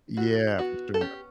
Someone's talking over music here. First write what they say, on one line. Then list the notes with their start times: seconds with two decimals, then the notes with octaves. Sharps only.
Yeah, for sure.
0.17 E3 F#4
0.59 B3 F#4
0.94 A4
1.01 C#4 G4